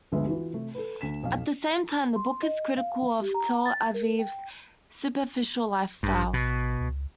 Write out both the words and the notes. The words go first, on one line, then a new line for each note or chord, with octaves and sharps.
At the same time, the book is critical of Tel Aviv's superficial lifestyle.
G1 D2 F3 G#3 B3 E5
E3 F4 F#4
C3 A3
A4 B4
D2 B6 E7
B1 F2 F5
C6
D#5
F5
G4
A#5
A6
A#4
G5
A1 G2
B2
C#2